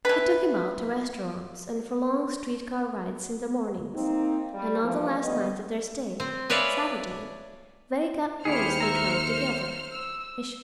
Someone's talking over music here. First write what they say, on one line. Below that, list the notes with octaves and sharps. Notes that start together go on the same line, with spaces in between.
He took him out to restaurants and for long street-car rides in the mornings, and on the last night of their stay, Saturday, they got gloriously drunk together--Mr.
E3 B4
A#3 C4 D#4
G3
G2 E3 F3
D2 G3 B3 D#5
C4
G#4 B4 C#5 D5 E5 F5
D#2 E4 G4 G#4 C5 F6 C#7
E5 A#5
E6